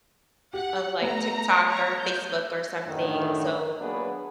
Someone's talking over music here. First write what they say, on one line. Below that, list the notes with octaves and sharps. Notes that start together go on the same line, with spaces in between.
of, like, TikTok or Facebook or something, so
G4 F#5
A3 B3 A#5
C#5 A#5
G6
F#2 A2 D3 D#3
F#3 A#3 B3 D4 G#4 B4